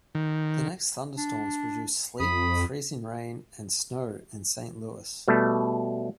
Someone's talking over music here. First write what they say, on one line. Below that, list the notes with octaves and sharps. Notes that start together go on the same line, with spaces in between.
The next day thunderstorms produced sleet, freezing rain, and snow in Saint Louis.
D#3
D4
F2 B5 D#6
B2 G3 A3